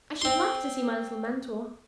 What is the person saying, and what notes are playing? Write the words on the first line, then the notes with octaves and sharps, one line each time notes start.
I should like to see my little mentor.
C4 C6